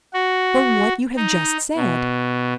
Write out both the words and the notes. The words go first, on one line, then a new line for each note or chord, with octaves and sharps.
"For what you have just said."
F#4
D#4
B2